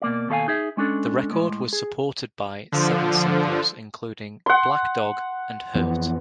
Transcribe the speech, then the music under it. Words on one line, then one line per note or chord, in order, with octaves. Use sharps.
The record was supported by seven singles including "Black Dog" and "Hurt".
B2 A#3 D5
D#2 B2 A4 E5 F5 G#5
D#4 G#4 E5
G#3 C#4 D4 A4
A2 G#3
G#4
D3 F3
F#5 C6
F2 E3 B3